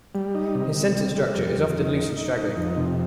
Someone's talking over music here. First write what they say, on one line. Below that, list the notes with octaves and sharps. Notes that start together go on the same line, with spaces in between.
His sentence structure is often loose and straggling.
G3
D#4
C3
C3
G3
G3
F2
F2
D#4
D#4
D#4
D#4
F2
C3